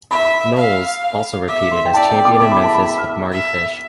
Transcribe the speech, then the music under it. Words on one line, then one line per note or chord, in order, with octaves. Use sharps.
Knowles also repeated as champion in Memphis with Mardy Fish.
E5 B5
F5
F5
E5 D6
C6
G5
D5 A5
G5
D6
E5 D6
B5
A5
B5
F6
E5